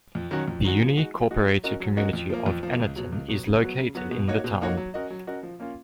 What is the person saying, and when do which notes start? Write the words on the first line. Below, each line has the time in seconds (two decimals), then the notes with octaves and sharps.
The unincorporated community of Annaton is located in the town.
0.15 F2
0.31 D#3 F#3 C#4 F#4
0.48 F2
0.65 D#3 F#3 C#4 F#4
0.81 F3
0.97 G#3 D#4 F#4
1.14 F3
1.31 G#3 D#4 F#4
1.46 F#3
1.64 C#4 F#4 A#4 D#5
1.80 F#3
1.97 C#4 F#4 A#4 D#5
2.13 F2
2.30 F3 A#3
2.46 F2
2.63 F3 A#3
2.80 C#2
2.96 B2 F#3
3.12 C#2
3.28 B2 F#3
3.45 C#3
3.62 F#3 B3 F#4
3.78 C#3
3.95 F#3 B3 F#4
4.11 B2
4.28 A#3 D#4 F#4 C#5
4.44 B2
4.61 A#3 D#4 F#4 C#5
4.77 F#3
4.94 C#4 F#4 A#4 D#5
5.10 F#3
5.27 C#4 F#4 A#4 D#5
5.43 F3
5.60 A#3 C#4 F4